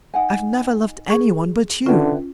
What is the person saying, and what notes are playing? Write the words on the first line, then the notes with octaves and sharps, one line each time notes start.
I've never loved anyone but you.
D#4 F#5 G#5
G#4 C#6
D3 C#4 E4 F4 B4 G5